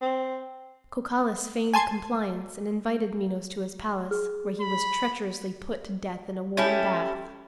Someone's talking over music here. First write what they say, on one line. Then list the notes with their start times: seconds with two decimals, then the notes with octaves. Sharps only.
Cocalus feigned compliance and invited Minos to his palace, where he was treacherously put to death in a warm bath.
0.01 C4
1.74 G#5 A5 C6 G#6
4.11 G#4 F6
4.61 B5
6.57 C#4 E4 G4 A4